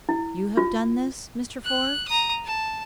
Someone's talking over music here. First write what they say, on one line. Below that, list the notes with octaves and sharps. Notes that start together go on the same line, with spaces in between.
"You have done this, Mr. Forbes?"
E4
F4
F#6
A#5 D#6
A5